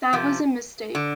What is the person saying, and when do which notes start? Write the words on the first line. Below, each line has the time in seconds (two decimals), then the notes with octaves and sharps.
That was a mistake.
0.13 C3 F3
0.95 D3